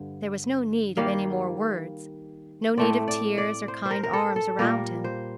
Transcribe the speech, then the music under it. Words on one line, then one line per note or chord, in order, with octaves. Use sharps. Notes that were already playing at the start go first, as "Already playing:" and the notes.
There was no need of any more words, no need of tears or kind arms around him.
Already playing: G2 D3
D#3 G3 A#3 F5
A2 A3 C4 D5
D5
D5
C5
C5
A#4
A#4
A4
A4
A#2 G3 A#3 A#4
C5